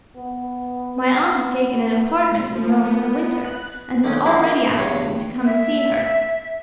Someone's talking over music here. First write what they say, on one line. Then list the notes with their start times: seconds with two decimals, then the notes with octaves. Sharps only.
"My aunt has taken an apartment in Rome for the winter and has already asked me to come and see her."
0.17 B3
1.15 B3
2.55 F3
2.84 B3
3.44 F#6
4.04 D3 D#3 C#4
4.26 E3 G#3 A#3 B3 E4
4.78 E2 G2 B4 C#5 C6 C#6
5.45 E5